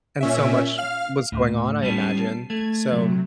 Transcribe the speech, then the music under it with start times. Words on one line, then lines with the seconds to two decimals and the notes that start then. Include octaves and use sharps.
and so much was going on, I imagine, so,
0.21 A#2 C#4 E5
0.78 F5 F6
1.32 D2 A2
1.82 G3 B3 C#4 A5 C7
2.50 A3 G#6
2.92 C3 F#3